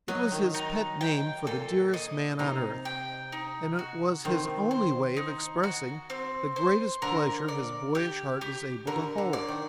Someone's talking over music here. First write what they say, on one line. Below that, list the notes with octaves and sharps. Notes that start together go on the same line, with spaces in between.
It was his pet name for the dearest man on earth, and it was his only way of expressing the greatest pleasure his boyish heart was able to hold.
F#3 D#5
D#3
D#4
G5
A#2 A4
D#5
C3 D#4
G5
D#4
F#4
D#3 C4
C5
D#4
F#4
C4
C5
D3 A#4
D5
G4
G4
D3 A#4
D3
D5
D#3